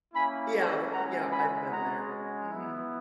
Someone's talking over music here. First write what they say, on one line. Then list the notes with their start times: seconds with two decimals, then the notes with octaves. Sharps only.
Yeah, yeah, I've been there. Mhm.
0.14 A#3 C#4 E4 G#5 B5
0.91 G#3 C#4 E4 F#5 A#5
1.30 G#5 B5
1.69 G#3 C#4 F#4 F#5 A#5
2.47 B3 E4